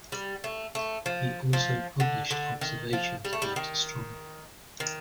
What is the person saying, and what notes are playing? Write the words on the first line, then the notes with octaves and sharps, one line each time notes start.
He also published observations about astronomy.
G3
A3
A3
F3
F3
D3
D3
D#3
F3
G3
A3
G3
D#3
D#3